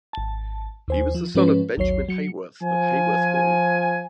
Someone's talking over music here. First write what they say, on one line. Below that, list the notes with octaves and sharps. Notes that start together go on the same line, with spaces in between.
He was the son of Benjamin Haworth of Haworth Hall.
G#1 A5
D#2 C5 G#5
F3
G#2 F3 G#3 C#4 B4
A1 D#2 F#3 C#5 C7
F#3 C#7
F3 G#5